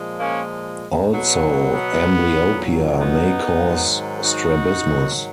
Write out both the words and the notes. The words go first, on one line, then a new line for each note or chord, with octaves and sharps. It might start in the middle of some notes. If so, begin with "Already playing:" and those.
Also, amblyopia may cause strabismus.
Already playing: A#2 F3 G#3
A#3 C#4
B2 F#3
B3
A#2 F#3
B3 D#4
G#2 D#3 F#3
D#4 F#4
G#2 D#3 F#3